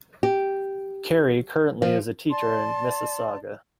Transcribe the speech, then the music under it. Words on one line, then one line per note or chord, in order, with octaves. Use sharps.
Carrie currently is a teacher in Mississauga.
G4
F3
D5 A5 C6